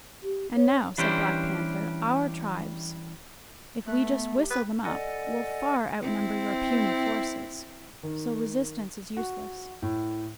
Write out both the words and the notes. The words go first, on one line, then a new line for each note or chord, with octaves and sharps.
'And now,' said Black Panther, 'our tribes, if we just whistle them up, will far outnumber your puny forces; so resistance is useless.
G4
C#5
E3 G3 C#4 D4 G4 C5
A3 F#6
B3
G4
B4
A4 D5 D#5 F#5 G#5
C4 E4
D#3
F#4
A2